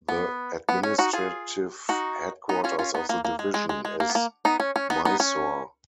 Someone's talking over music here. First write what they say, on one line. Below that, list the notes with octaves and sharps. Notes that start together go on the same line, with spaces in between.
The administrative headquarters of the division is Mysore.
B3
B3
C#4
D#4 F#4
F4 G#4
D#4 F#4
B3 D#4
C#4 F4
C#4 F4
B3 D#4
A#3
A#3
G#3
G#3
G#3
G#3
A#3
B3
A#3
B3 D#4
C#4
C#4
B3 D#4
B3 D#4
C#4